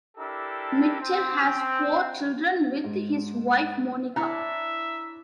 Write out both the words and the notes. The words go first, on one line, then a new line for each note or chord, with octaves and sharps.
Mitchell has four children with his wife Monica.
D4 E4 G4 A4 A#4
C4
G#2
D4 E4 C#5 E5 A#5